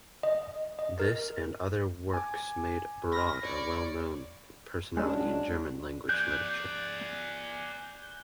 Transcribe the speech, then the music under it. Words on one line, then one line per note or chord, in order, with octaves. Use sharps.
This and other works made Brod a well-known personality in German-language literature.
D#5
D#5
A#4
G#5 D6
B5 F6 A#6
C#5 D5
F#3 G#3 C#4 D4
G#4 D5 F#6 G6